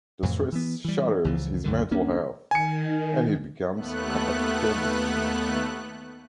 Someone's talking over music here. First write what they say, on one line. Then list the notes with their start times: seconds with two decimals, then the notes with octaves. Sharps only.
The stress shatters his mental health, and he becomes catatonic.
0.23 F2 A2 C3 E3
0.52 E3 B3
0.85 E3 G3
1.25 C#2 E3 F3
1.64 C2 F#2 D3 D#3
1.91 D2 A#3 C#4 D4
2.51 D#3 G#5 C#7
3.77 D#2 A3 B3 F#6